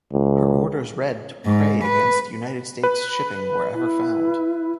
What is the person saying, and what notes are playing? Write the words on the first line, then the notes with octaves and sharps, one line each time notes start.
Her orders read to prey against United States shipping wherever found.
C#2
G#2
B4
B4
E4